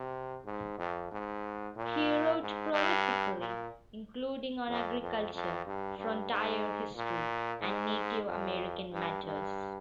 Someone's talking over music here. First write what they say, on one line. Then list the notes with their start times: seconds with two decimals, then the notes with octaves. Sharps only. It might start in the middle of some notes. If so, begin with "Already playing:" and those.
He wrote prolifically, including on agriculture, frontier history and Native American matters.
Already playing: C3
0.45 G#2
0.78 F2
1.11 G#2
1.76 A#2
2.41 G#2
2.73 G2
3.39 A#2
4.68 F2
5.01 F2
5.34 F2
5.66 G2
5.99 G2
6.31 G#2
6.96 A#2
7.61 G#2
8.26 F2
8.92 G2
9.24 G2